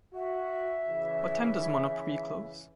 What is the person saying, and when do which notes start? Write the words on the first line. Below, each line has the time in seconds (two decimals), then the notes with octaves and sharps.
What time does Monoprix close?
0.14 F#4 E5
0.88 C#3 E3